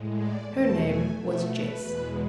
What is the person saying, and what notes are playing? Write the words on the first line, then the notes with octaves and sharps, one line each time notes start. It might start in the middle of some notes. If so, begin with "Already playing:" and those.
Her name was Jess.
Already playing: A2 G#3
D5
E2 B2 A3 A5
G#5
B2 A3 E5
B4
E2 B2 G#3